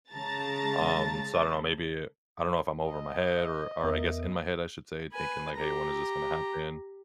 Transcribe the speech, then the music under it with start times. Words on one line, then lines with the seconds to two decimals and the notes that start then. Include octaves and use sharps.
um, so I don't know, maybe I don't know if I'm over my head or or I guess, in my head, I should say, thinking like, hey, when is this gonna happen?
0.11 C#3 G#3 A5 A#5 A6
2.87 D#5
3.84 E2 B3 A#4 E5
5.13 B4 G#5
5.56 G4 A#5